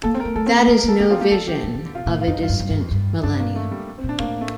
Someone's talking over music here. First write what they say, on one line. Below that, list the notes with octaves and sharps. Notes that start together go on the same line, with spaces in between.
That is no vision of a distant millennium.
A#3 A4
C4
A#4
A#3
A3 A4
C4
A#3
A#3 A#4
A#4
A#3 A4
A#3 G4
C4 F4
A#3 G4
A3 A4
F3 G4
F3
F3
D3
C3 F4
A#2
A2
F4
F2 D#4
G2
F4
G2
G2
G2
F2
G2
G2 D4
A#3
A3
G3
C4
A#2
D4
A2 A#3
A3